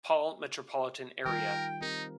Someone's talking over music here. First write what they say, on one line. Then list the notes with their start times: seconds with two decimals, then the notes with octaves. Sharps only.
Paul metropolitan area.
1.25 D#3 G3 F4 A#4 G5
1.81 C4 D#4 G4 A#4